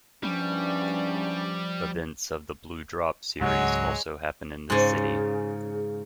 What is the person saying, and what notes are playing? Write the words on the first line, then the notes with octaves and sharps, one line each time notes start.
Events of the "Blue Drop" series also happen in this city.
E2 G2 F3 G3 C#4 D4
C#2 G#2 C#3 F#3 G#3 C#5 F#5
G#2 C#3